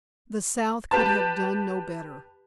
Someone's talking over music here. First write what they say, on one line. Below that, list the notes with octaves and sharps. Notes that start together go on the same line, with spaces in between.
The South could have done no better.
G4 B4 A5